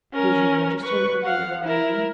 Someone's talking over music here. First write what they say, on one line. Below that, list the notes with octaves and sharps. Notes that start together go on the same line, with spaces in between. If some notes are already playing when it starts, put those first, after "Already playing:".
"Did you register under your own name?"
C#4 A#4
B4 C#6
F5 F#5
E4 A#4